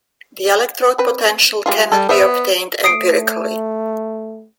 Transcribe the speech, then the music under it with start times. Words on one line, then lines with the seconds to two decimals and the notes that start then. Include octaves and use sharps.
The electrode potential cannot be obtained empirically.
0.98 C4 B4
1.66 G3 G#3 F4
1.92 G3 A4
2.09 B3 C5 D5 E5
2.84 A3 D#6 C7 D7